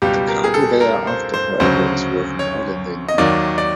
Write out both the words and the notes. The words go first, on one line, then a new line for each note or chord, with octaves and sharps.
The cargo they are after, however, is worth more than they know.
C#2 B2 G3 G4
A#4
G#4
A4
A#4
C5
C5
D2 C#3 F#3 C5
C#5
D#5
D#2 D#3 F#3 D5
D5